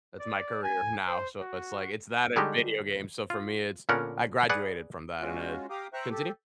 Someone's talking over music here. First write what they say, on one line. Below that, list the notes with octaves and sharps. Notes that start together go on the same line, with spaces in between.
That's my career now, so it's, like, it's that and video games, so for me it's I graduated from that, and it continue.
D5
G#5
C5
F#4
D3 G3 G#3 D#4 F#4 G4
F4
A#2 D3 B3 C#4 A#4 F#5
G#4 B4 D5 F#5
G#3 C#4 F4 F#4
G4 F5 G5 A#5 D6 D#6
C5 E5 G5 A#5 C#6 F#6
G4 A4